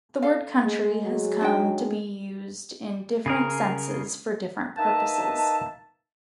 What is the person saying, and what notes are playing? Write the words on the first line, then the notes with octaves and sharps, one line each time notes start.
The word "county" has come to be used in different senses for different purposes.
A4 F5
G#3
F#3
D4 D#4 G5
C#3 G#4 A#4
A#3 D#4 B4 D#5 E5 A5